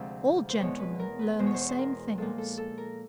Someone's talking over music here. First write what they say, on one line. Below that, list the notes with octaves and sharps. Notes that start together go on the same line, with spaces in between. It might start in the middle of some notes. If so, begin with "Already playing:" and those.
"All gentlemen learn the same things."
Already playing: D2 C3 F3 G#3 C5
C5
E2 B2 G#3 C#5
B4
A#4
B4
E2 B2 G#3 C5
C#5
C5
C#5
C5
A#4
A#2 F3 G#3 A4
A4
A4
A#4